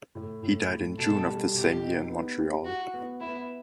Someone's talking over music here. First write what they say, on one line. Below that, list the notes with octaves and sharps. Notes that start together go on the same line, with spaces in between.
He died in June of that same year in Montreal.
A2
A2
A2
B2 A4
G3
B2 G4
D#4
B3
G4
E4 F#4
B3
B3 E4